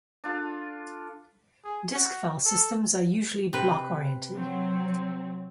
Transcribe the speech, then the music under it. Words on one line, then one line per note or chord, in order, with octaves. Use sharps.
Disk file systems are usually block-oriented.
D4 F4 A4
G#4
F#4
A4
C3 B4
F#3 C4